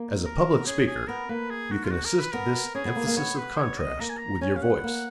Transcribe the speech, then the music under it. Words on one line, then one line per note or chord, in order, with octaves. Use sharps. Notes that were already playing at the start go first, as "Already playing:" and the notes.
As a public speaker you can assist this emphasis of contrast with your voice.
Already playing: A#3
A#4
B3
C#4 G#4
G#4
B3 A#4
A#3 B4
G#4
F#4
F4
F#4
A#4
B4
B3 A#4
C#4 G#4
B3
A#3
A#3
B3 C#5
B4
C#5
D#5
A#3 A#5
G#5
A#5
C#4 G#5
C#4 F5
F#5
B3
A#3